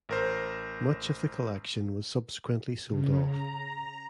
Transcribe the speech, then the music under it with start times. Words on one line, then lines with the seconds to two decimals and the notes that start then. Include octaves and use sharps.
Much of the collection was subsequently sold off.
0.09 A1 A#4 C5
2.87 C#3
3.26 A#5